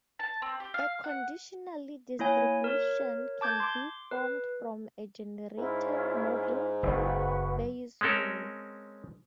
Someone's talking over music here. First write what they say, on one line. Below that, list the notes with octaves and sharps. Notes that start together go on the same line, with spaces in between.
A conditional distribution can be formed from a generative model through Bayes' rule.
A5
C4
G4
F5
F#5
A#3 E4 C#5 G#5
A#4 C#5
A5 D6 G6 G#6
C6 D6
B4
G#2 C#4 E4 F4
F#1 B4 F#5 C#6
G#3 C4 C#4 A4 A#4